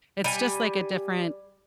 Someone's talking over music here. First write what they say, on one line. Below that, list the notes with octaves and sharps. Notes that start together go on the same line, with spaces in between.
it's just, like, a different
G3 G#5